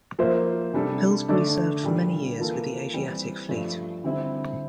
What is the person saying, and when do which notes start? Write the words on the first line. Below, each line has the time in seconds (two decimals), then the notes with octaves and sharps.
"Pillsbury" served for many years with the Asiatic Fleet.
0.19 F3 A#3 F4 C5 E5
0.73 C3 G3 D4 A4
1.29 D3 A3 D4 A4 D5
1.83 A#2 G3 D4
2.39 E3 A#3 F4 A4
2.94 E3 G3 C4
3.49 G2 F3 A3
4.04 D3 G3 C4 E4